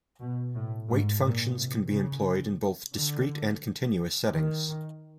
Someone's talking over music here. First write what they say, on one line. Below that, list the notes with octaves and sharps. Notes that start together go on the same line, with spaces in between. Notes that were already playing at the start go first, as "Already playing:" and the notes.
Weight functions can be employed in both discrete and continuous settings.
B2
A2
G#2
A#2
C3
C#3
D3
D#3